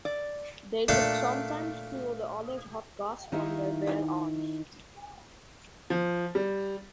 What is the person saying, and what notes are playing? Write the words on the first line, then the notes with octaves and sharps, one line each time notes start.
They could sometimes feel the other's hot gasps on their bare arms.
D5
A#2 A3 D4 A4
D#3 D#4 E4 G4 E5 F5
F3
G3